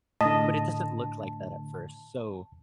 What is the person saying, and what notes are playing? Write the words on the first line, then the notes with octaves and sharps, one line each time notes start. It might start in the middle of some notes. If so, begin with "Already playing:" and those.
but it doesn't look like that at first, so
A2 D3 D#5 A5